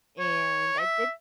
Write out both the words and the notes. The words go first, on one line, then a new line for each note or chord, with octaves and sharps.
And I did
C#5
E5